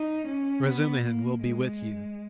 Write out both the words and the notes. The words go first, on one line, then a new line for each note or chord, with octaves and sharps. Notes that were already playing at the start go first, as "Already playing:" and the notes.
Razumihin will be with you.
Already playing: D#4
C#4
B3
A#3
G#3